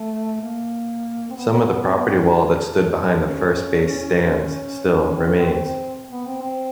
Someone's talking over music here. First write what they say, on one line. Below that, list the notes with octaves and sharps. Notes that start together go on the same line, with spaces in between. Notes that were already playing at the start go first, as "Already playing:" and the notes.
Some of the property wall that stood behind the first-base stands still remains.
Already playing: A3
A#3
C4
B3
C4
B3
C4
B3
C4
C#4
D4
C#4
C4
C#4
C4
B3
C4
C4